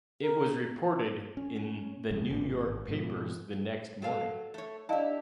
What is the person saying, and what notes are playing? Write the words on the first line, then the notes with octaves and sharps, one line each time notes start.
It was reported in the New york papers the next morning.
A#4
C#4
F1 F2 C#3
G#1 A#2
G#1
G#2 B2 F3
F#3 A4 F5
A3 C#5
D4 E4 G4 D#5 F5 A5